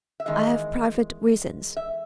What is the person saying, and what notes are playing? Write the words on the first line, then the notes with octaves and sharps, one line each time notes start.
"I have private reasons."
E5
E2 D#3 G#3 D#5
E5